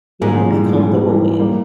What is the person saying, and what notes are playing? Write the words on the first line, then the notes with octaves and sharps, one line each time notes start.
you know be comfortable in,
G#2 G3 A#3
F3 G#3
E3 G3
F3 G#3
F3 G#3
E3 G3
G3 A#3